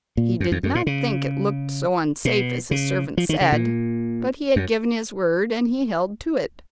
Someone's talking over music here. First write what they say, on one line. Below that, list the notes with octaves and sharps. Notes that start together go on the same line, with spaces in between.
He did not think it looked so unsafe as his servant said; but he had given his word and he held to it.
A#2
F#2
F2
F#2
A#2
C#3
B2
C#3
F3
D#3
C#3
A#2
F#2